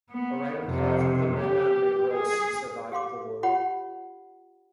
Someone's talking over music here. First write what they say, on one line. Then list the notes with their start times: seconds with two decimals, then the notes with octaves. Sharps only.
Around half of the men on Negros survived the war.
0.11 B3
0.65 F2 C3
1.37 G4
2.14 G#4
2.92 G4 F5 C6 D6
3.43 F4 G4 C#5 F#5 B5